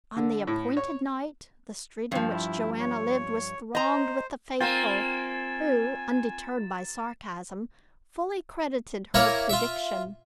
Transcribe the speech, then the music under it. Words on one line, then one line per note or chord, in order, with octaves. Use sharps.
On the appointed night, the street in which Joanna lived was thronged with the faithful, who, undeterred by sarcasm, fully credited her prediction.
D3
A2
C#5
G2 F3
E4
C#5
C5 D#5 A#5
A#3 C4 F4 G5 G#5 A6 E7
A#3 E4 A#4 C#5
F4 E5